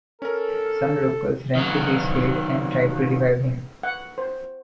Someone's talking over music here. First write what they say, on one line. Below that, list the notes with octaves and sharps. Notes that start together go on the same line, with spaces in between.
Some locals ran to his aid and tried to revive him.
C#4 A4 A#4
D#3 F#3
F#5
C5